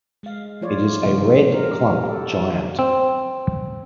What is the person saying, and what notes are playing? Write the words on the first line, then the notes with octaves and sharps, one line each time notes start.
It is a red clump giant.
G#3 F5
F3 A3 F4 C#5 D5
C3 D#3 F3 G3 C4
A#4
G4 A4
C4